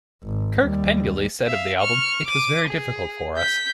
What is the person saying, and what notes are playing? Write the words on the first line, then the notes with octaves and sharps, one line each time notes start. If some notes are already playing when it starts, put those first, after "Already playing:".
Kirk Pengilly said of the album, It was very difficult for us.
G#1
D#2 G3
E5 F5
C#6 F6
D6 D#7
G#4
G6 B6